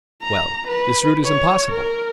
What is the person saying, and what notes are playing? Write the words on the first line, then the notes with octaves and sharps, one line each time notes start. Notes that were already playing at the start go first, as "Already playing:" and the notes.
"Well, this route is impossible."
A#5
B4
C#5
A#4